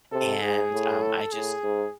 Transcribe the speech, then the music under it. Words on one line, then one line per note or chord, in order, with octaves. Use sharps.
and, um, I just
C3 A4
G#2 G#4
A2
A4
A2 G#4
G#2